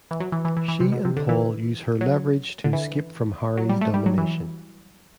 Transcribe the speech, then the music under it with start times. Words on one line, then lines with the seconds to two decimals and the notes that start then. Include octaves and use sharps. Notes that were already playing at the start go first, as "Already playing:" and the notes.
She and Paul use her leverage to escape from Harry's domination.
0.11 E3
0.20 F#3
0.32 E3
0.45 E3
0.57 E3
0.68 E3
0.80 C3
0.92 B2
1.05 C3
1.17 D3
1.29 E3
2.01 F#3
2.64 D3
2.73 E3
3.57 F#3
3.69 G3
3.81 A3
3.94 G3
4.06 F#3
4.18 E3